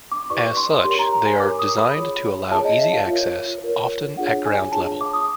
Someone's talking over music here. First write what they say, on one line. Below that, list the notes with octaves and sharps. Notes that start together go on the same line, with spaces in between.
As such, they are designed to allow easy access, often at ground level.
D6
E4 G4 B4 D5 C#6
C6
D#4 G4 A#4 C#5 C6
A#5
G#5
D#4 G4 A#4 C#5 D6
D#6
B5
F4 G#4 C#5
F4 G#4 C#5 A5
D#5
E5
F5
F4 A#4 C#5
F4 A#4 C#5
D4 F4 G#4 C#5 F#5
G#5
D4 F4 G#4 C#5 A5
D6
D#6